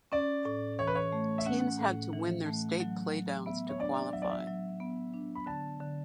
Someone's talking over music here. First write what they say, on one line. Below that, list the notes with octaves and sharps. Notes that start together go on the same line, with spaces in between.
Teams had to win their state playdowns to qualify.
C#4 D5
A2
E3 C#5
B4
C#5
A3
E5
C#4 F#5
A2
E3
A3
F#3
F#3
B3 E5
C#5
D4 D5
F#3 E5
D5
E5
F#3
B3
D4
B5
D3 A5
D3